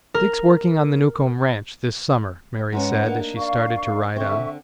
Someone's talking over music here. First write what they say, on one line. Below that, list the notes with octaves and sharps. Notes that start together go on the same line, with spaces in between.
"Dick's working on the Newcomb ranch this summer," Mary said, as she started to ride on.
A#4
G#2 G#3 C#4 B4 F#5
A#3 D4 D#4
D5 F5 C#6
D3 C4 A4 E5 C#6